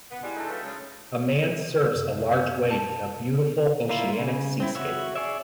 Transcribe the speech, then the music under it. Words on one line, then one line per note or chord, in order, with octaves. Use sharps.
A man surfs a large wave in a beautiful oceanic seascape.
B3
G3 G#3 E4 F#5
D3 A3 D#4 A4
F3 F#3 A3 A4 B4 G5 A5
C#3 G#3
F#2 C3
C#4
A5
A#3 E4 F4
C#3
C4 E4
F#4 C#5 E5
G#4 C#5 D5 E5